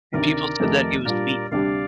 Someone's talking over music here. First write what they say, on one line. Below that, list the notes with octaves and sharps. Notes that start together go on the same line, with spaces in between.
And people said that he was weak.
D2 C3 D#3 A#4 D5
F2 D#3 A3 D#4 G4
A#2 G3 D4 F4 A#4 D5
D2 C3 G3 D4 G4 D5 F5